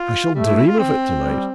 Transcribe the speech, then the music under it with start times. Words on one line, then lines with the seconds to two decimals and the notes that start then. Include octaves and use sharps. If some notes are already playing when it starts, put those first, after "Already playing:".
I shall dream of it to-night.
Already playing: F4
0.34 G3 A3
0.46 E4
0.57 E4
0.67 F4
0.78 C4
1.22 G3